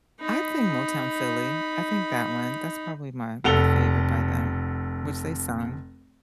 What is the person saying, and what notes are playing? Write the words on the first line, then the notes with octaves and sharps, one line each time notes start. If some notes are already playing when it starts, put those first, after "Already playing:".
I think Motown Philly. I think that one. That's probably my my favorite by them, which they sung.
D#4 B5
F1 A4 F#5 F7 G7